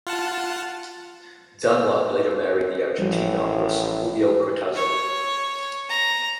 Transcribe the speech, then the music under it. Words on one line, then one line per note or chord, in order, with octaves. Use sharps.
Dunlop later married the Argentine novelist Julio Cortazar.
F4 F#5 A5
A1 F3 G3 F#4
C#5
A#5